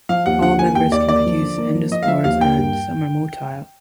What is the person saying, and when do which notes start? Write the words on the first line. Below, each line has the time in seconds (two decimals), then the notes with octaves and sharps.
All members can produce endospores and some are motile.
0.09 F3 F5
0.26 D#2 F#5
0.42 D3 F#5
0.59 A#3 G#5
0.75 D#2 G5
0.92 D#2 D5
1.09 A#3 D5
1.26 F3
1.42 D3
1.58 A#3
1.75 F3
1.91 F3 D#5
2.03 F5
2.08 F3 E5
2.24 D#2 F5
2.41 A#3 G5
2.58 G2